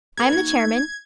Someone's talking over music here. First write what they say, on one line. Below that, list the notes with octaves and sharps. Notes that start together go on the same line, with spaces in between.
I am the chairman.
B3 A4 A#5 G#6
A#3 D#4 F#4